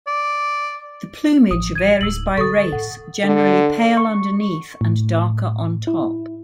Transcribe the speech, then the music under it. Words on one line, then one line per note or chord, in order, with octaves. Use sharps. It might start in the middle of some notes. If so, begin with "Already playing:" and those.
The plumage varies by race, generally pale underneath and darker on top.
D5
A1 F3 D#6
G#6 D#7
D1 D#4 E6 F#7
D3 A4 C#6 D#6
A2 F#5
D3
C#6
A2
E4